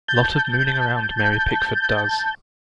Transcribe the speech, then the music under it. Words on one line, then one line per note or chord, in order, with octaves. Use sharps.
Lot of mooning around Mary Pickford does!
A5 G6